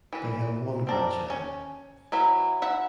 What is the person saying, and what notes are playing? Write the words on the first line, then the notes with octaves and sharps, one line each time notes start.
They have one grandchild.
E3 B4
C4 D4 A#5
C#4
F#3 E4 B4
E5 F#5 B5